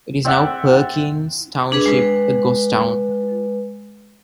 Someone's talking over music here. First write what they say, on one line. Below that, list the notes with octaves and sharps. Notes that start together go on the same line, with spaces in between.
It is now Perkins Township, a ghost town.
C4 D5 E5 F#5
D4 G#4 B4
G#3 B4